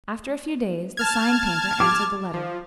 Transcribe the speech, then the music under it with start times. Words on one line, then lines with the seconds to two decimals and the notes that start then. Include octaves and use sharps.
After a few days the sign painter answered the letter.
0.97 A5 F6 G#6
1.80 D6
2.34 F3